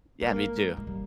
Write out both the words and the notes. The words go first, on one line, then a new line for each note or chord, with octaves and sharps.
Yeah, me too.
G#3 A#3
G#3
G3